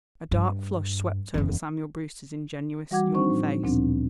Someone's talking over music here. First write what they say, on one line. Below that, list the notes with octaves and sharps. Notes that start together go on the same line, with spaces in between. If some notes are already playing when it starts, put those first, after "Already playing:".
A dark flush swept over Samuel Brewster's ingenuous young face.
G2
F#1 E2
E3 G3 F#4 F#5 D6 G#6
F3 C4 D4 D#4 C5 C#6
A2
D2 A#2 F3 B3 C4 D4